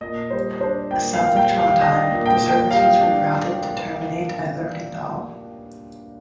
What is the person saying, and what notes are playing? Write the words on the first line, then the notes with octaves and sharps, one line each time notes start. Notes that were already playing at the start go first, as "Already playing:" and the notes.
South of Trondheim, the service was rerouted to terminate at Lerkendal.
A#2 D#5
G3 C5
D4 C5
A#2 G5
F5
A#2
G5
G3
F5
D4 D#5
A#2
G5
A#2
G5
G3 F5
D4